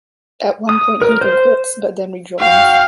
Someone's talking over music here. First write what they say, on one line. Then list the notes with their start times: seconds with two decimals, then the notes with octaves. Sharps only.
At one point he even quits, but then rejoins.
0.69 D#6
1.02 A#4
1.21 C5
2.39 F#4 F5 G5